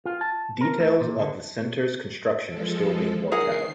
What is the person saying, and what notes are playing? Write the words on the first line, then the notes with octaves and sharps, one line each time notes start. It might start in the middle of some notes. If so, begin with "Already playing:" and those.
Details of the Center's construction are still being worked out.
F4
A5
A#4
A3
A#2
D3
F3 G#3 A4
D#3 G#4 A#4 F#5 C7